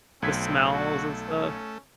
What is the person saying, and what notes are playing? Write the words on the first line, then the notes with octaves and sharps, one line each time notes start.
the smells and stuff?
B1 A3 C4 G#6 B6
F#4
C#4